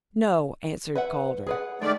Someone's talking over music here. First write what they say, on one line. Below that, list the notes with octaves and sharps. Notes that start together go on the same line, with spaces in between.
"No," answered Calder.
B4 E5 F#5
G#4 B4 F#5
D#3 G#3 A3 D5